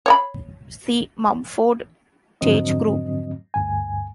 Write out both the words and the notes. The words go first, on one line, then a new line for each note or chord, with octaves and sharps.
See Mumford-Tate group.
C#5 D5 B5
F2 G#2 D3 F#3 C4 D#5
D2 G2 G#5